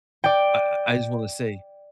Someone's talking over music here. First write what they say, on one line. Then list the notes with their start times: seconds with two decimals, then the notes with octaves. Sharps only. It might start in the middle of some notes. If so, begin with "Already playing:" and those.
I I I just wanna say,
0.24 D5 G5